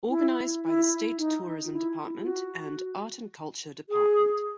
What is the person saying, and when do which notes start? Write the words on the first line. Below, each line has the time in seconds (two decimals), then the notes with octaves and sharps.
Organized by the State Tourism Department and Art and Culture Department.
0.09 E4
0.64 E4
1.18 D#4
1.65 F4
1.72 E4
2.22 F4
2.27 F#4
3.89 G#4